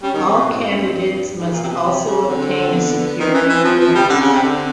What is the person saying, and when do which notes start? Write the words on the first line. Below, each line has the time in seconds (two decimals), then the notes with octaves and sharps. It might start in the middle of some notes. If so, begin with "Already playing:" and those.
All candidates must also obtain a security clearance.
0.02 G3 C#4
0.14 D#3
0.25 C3 C4
0.36 B2
0.47 A2 B3
0.59 C4
0.70 G2 C#4
0.82 C4
1.38 G#2
1.53 A#2
1.63 C3
1.69 B2
1.84 C3
2.06 C#3
2.28 D3 C4
2.74 B3
2.97 B3
3.19 D#3 C4
3.31 C#4
3.34 E3
3.42 C#4
3.49 E3 C4
3.64 F3 C4
3.80 F3
3.88 C4
3.95 G3
4.10 D3 C#4
4.21 C#3
4.32 C3 C4
4.43 D3